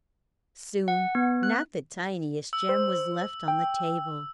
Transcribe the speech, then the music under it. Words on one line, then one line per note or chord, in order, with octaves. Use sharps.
Soon not the tiniest gem was left on the table.
F#5
B3
F#6
E6
C5
G5